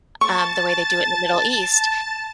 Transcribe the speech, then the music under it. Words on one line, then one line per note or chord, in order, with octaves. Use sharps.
Um, the way they do it in the Middle East,
A5 C#6 A6